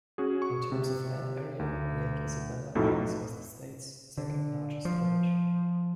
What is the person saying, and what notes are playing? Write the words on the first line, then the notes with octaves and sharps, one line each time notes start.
In terms of land area, Lake Isabella ranks as the state's second largest village.
C#4 F#4 G#4
C#6
C3
D2
B1 F2 A2 D#4 F#4 A4
D3
F3